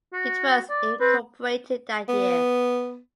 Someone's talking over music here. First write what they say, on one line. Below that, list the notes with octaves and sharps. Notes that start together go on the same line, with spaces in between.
It was incorporated that year.
F#4
D5
C4 B4
B3